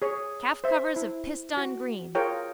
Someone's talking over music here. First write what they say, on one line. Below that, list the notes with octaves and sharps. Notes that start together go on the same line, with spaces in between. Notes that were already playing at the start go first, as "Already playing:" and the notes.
Calf covers of pissedon green.
G#4 C#5
C5 E5
E4
F#4
F4 G#4 A#4 C#5 G5